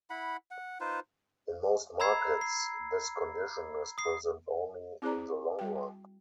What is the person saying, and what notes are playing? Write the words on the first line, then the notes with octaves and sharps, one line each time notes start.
In most markets this condition is present only in the long run.
E4 F#5 B5
F#5
D#4 F4 B4 C5
A#5 B5 E6 G#6 C7
C7
D#6 C7
C4 E4 G#4 C5 D5 A#5
G3 F#4 G5